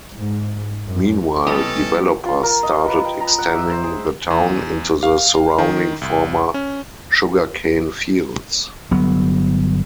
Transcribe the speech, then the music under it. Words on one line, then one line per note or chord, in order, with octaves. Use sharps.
Meanwhile, developers started extending the town into the surrounding former sugarcane fields.
G#2
F#2
E3 G3 B3 C#4 G4 A4 D#5
F4
A#4
D#5
B4
G5
A#5
F#5
E5
C5
G#4
E2
F5
D#3
C2
C#4
G1 F#3 B3